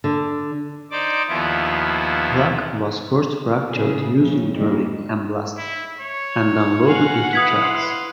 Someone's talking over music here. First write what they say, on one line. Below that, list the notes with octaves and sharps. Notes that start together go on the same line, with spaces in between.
Rock was first fractured using drilling and blasting, and then loaded into trucks.
D3
D#4 C5 D5 D6
D#2 F3 B3 E4
A2 C#3 G#4
F2 C#3
D#3 G3 G#3 A#3
E4
C#5
F#4 G#4 F5 F#5
E4 B4 F5 D#6 G#6 B6
C6